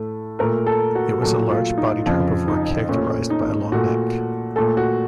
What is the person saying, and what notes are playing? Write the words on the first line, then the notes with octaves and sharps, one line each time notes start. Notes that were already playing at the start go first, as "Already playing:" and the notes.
It was a large-bodied herbivore characterized by a long neck.
Already playing: A2 A3
A#2 A3 A#4
A4
F#4
A#2 F#3 A3 A4
F4
D#4
F2 C#3 F3
D#4
A#2 A3 C#4
D#4
A#2 A3 F#4
A#2 A3 A4
F#4